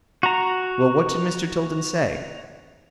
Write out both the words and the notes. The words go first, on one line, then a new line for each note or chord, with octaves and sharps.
"Well, what did Mr. Tilden say?"
F#4 A#5